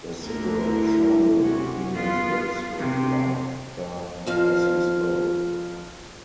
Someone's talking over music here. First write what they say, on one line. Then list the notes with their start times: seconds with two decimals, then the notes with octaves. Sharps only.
The cigarette trembled between his lips with laughter as he spoke.
0.21 D2 D3 A#4
0.62 E4
1.39 C3 C#4 F#4
1.93 B3 F4
2.78 C3
4.26 F2 F3 F5